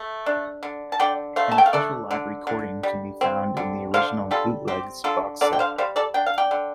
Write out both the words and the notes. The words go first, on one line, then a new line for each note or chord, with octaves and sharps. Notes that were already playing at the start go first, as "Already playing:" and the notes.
An official live recording can be found in "The Original Bootlegs" box set.
Already playing: A3
D4
D3
A5
D3 D5 G5
A3 C5 F5
A5
G5
F5
D4 A4 D5
D3
D3
G3
C4
D3
D3 C5 F5
G3 F4 A4
C4 G4
D3 F4 A4
D3 A4 D5
G5
C5 F5
G3 C5 F5
A4 D5
D4 G5
F5
D5 G5
D3